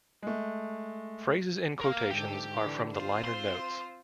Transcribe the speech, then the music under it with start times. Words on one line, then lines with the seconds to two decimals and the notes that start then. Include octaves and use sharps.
Phrases in quotations are from the liner notes.
0.23 G#3 A3
1.81 A#4 F5
2.11 G#2 D3 G4
2.59 D3 E3
2.93 C4 F4 C5
3.25 C6